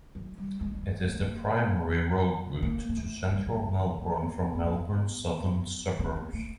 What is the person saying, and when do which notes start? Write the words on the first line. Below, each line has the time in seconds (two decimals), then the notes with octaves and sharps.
It is the primary road route to central Melbourne from Melbourne's southern suburbs.
0.15 F#3
0.38 G3
0.61 G#3
0.75 G3
0.83 G#3
1.05 A3
1.13 G#3
1.20 A3
1.28 A#3
2.62 A#3
2.89 A#3
2.97 A3
3.30 G3
3.47 F#3
3.64 F#3
3.80 F3
3.98 A#3
4.55 A#3
4.65 B3
5.99 C4
6.16 B3
6.33 A3